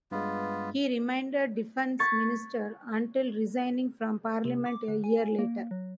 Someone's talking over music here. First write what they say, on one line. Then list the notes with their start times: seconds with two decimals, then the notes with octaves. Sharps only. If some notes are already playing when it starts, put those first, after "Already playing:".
He remained Defence Minister, until resigning from parliament a year later.
0.11 G2 G#3 B3 F4
1.99 C#6 G#6 A6 B6 C#7
4.45 C3
4.66 D6
4.88 D3
5.04 G#5
5.39 A#3
5.71 F#3